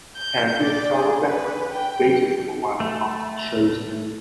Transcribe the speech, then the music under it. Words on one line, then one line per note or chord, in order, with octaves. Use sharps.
Andy and Sarah Beckworth dated for a while after the show's end.
G6
D5
G#4
B4
G5
A3